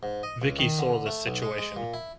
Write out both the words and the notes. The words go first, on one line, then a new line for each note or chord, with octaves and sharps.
Vicky saw this situation.
G#2
D#5
C#2
D#3
D3
A3
B1
G#3
G#3
A#2
E4